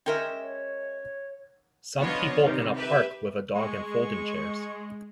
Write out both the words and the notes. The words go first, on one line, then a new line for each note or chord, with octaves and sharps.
Some people in a park with a dog and folding chairs.
G#3 C#4 A#4 E5 G5
C#5
F3 B3 D4 F4 C#5 D#5
C3 D#3 G3
G4 B4 E5
G#3 C#6